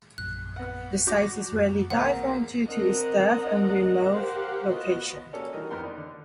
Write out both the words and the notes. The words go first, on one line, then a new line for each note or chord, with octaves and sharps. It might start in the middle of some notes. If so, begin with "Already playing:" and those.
The site is rarely dived on due to its depth and remote location.
A#1 F#2 F#6
B3 F#5
D4 F#4 D6 G6 A#6
F#2 F#3
B1 E2 A#3 C4 C5 F#5
C4 D4 A#4 D#5 F#5 A#5
G4 A#4 C5 F5 F#5
B3 F4 F#4 D#5
A#3 C#4 D4 F#4 A4
D#3 E3 G3 F#4 A#4 D#5
F2 D#3 B3 A#4 G5 C6
D#4 D5
D3